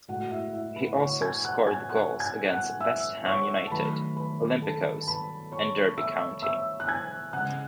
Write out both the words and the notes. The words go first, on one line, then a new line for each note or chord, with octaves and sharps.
He also scored goals against West Ham United, Olympiacos and Derby County.
A2 G#3 F#4 F#5
E4 E5
E4 E5
B4 B5
C#5 C#6
G#5 G#6
F#5 F#6
G#5 G#6
F#5 F#6
G#5 G#6
F#5 F#6
E5 E6
C#5 C#6
A5
D#3 F#3 A3 B4 B5
B4 B5
A4 A5
A5
B4 B5
C#5 C#6
E5 E6
E5 E6
F#6
G#5 G#6
C#3 G#3 F#5 F#6